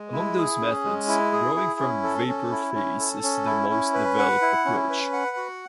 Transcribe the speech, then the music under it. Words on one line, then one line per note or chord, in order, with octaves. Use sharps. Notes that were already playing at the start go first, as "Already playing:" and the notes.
Among those methods, growing from vapor phase is the most developed approach.
Already playing: G#3
E4
G#4
C#4
G#3
E4
G#4
E4
C#4
A4
C#4
E4
C#4
A4
C#4
E4
C#4
B4
F#5
E4
C#4
B4
F#5
F#4